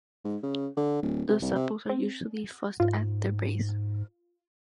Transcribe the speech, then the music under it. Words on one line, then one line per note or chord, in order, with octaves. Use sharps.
The sepals are usually fused at their base.
G#2
C#3
D3
D1
C3
C2
C3
C4
G#2 F4